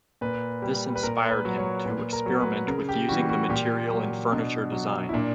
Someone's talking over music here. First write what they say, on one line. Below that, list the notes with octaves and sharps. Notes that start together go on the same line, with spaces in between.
This inspired him to experiment with using the material in furniture design.
A#2 B4
G3
B4
A#2 A#4
B4
F#3
C#5
A#2 B4
A#4
F#3
B4
C#3 A#4
G4
E3 G3 F#4
F#4
A#2 G4
F#3
B2 D4
F#3
E4
A#2 D4